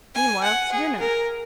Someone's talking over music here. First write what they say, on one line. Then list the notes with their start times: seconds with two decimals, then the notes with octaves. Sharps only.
Meanwhile, to dinner!
0.15 G#5
0.43 F#5
0.72 G#4
1.00 A#4